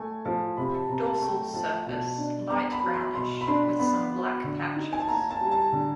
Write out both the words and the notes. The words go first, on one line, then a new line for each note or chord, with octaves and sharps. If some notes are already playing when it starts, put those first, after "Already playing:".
Dorsal surface light brownish with some black patches.
Already playing: A3 G#5
F3 A5
C3 B5
A5
C3 A#5
A5
A3 G5
F3 A5
B2 A5
D4
B3 A#5
B5
F#3
C6
B2 C6
B5
D4 C6
B3 B5
F#3
D3
D#4
G#5
A5
A#3 A#5
A5
G3
A5
D3